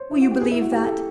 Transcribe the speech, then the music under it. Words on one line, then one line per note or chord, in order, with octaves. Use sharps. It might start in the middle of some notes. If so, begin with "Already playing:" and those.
Will you believe that?
Already playing: C5 C#5
E4
F#4
G4
G#4
E4
F#4
G4
A4